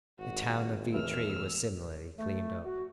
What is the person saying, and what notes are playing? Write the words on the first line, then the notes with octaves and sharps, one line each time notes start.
The town of Vietri was similarly cleaned up.
G#1 F#4
E1 A3 B4 E6 F6
A3
F#4